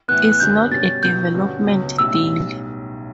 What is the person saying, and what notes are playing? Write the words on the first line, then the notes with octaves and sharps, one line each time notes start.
It's not a development deal.
A2 E3 B3 F#6
F#6
G1 F#2 D3 G3 G6
B2 G3 C#4 A6
B1 B2 F#3 B3 G6
G2 D3 G3 C#4 F#4
C#2 B2 F#3 C#4
B1 A2 G3 C#4 E6